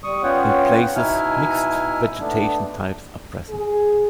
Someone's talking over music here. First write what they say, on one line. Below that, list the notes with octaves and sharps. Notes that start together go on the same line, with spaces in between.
In places mixed vegetation types are present.
G3 C#6 D#6
B3 C#4 F4 C#5 F#5 G5
B2 D#4 E4 E5 G#5 F6
A3 B3 D4
G#4